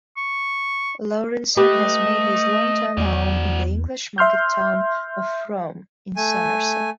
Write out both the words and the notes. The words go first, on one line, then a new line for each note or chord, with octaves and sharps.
Laurenson has made his long-term home in the English market-town of Frome in Somerset.
C#6
A3 G4 B4 D#5
E2 F#4 D5
E5 C6 F6 G6
A3 G#5